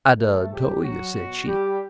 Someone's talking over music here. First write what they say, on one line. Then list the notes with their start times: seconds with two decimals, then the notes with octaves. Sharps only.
"I done tol' you," said she.
0.19 A3 A4
0.51 A2 F3 G3 G#3 G4
0.82 F#3 F#4
1.14 B2 F#3
1.45 G3 G4